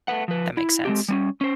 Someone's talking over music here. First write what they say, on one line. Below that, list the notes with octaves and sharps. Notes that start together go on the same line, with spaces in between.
That makes sense.
A3 B4 F#5
F3 B4
E4
G#3 C4 G4
G3 B3 C#4
C#4 C5